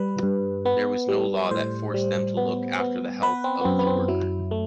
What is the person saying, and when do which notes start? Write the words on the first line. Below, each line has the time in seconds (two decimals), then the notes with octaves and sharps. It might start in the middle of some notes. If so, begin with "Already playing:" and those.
There was no law that forced them to look after the health of the worker.
Already playing: G3 B4
0.23 G2
0.65 B3
1.08 G3
1.51 A2 C5
1.94 G3
2.37 B3
2.80 B3
3.23 B3 B4
3.44 C4
3.61 B3
3.65 F#2 C4
3.79 B3
3.87 C4
4.08 F#3 E4
4.51 A3